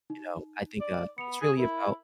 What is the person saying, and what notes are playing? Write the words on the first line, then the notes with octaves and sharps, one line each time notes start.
uh, you know, I think, uh, it's really about,
D#4
D5
B3 C#7 F7
G#4
E4 A#4